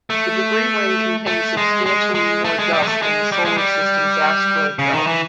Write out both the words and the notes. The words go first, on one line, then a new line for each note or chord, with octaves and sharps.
The debris ring contains substantially more dust than the Solar System's asteroid belt.
A3
A3
G#3
G#3
G#3
A3
G#3
G3
G#3
A3
G#3
G3
G#3
G3
C#3
D#3
E3